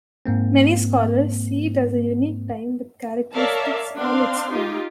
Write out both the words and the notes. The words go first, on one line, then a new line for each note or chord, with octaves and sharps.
Many scholars see it as a unique time with characteristics all its own.
G#2 A#3 C4
A#4 C#5 D5 E5 F5 A5
C4 D4 F5 C6
D#4 F4 G4